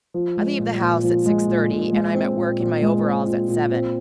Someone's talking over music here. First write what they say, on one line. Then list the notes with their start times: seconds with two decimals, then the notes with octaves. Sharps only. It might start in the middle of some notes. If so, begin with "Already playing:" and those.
I leave the house at six-thirty, and I'm at work in my overalls at seven.
0.14 F3
0.37 G#3
0.59 A#2
0.81 A#2
1.04 F3
1.26 G#3
1.48 A#2
1.71 A#2
1.93 G#3
2.15 C4
2.37 A#2
2.60 A#2
2.82 G#3
3.03 C4
3.26 A#2
3.49 A#2
3.71 C4